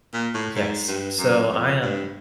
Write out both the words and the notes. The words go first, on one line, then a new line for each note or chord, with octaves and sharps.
Yes. So I am
A#2
A2
G#2
G2
F#2
F2
G2